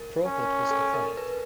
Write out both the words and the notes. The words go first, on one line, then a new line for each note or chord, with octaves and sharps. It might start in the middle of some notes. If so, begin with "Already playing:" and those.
Crawford was defiant.
Already playing: A#4
C#4
A4
A#4
B4